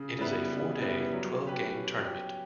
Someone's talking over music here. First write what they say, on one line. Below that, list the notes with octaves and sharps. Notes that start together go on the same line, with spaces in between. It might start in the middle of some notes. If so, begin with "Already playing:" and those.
It is a four-day, twelve-game tournament.
Already playing: C#3
G3 B3 E4 B4
C#3
G3 B3 E4 B4
F#3
C#4 G4 B4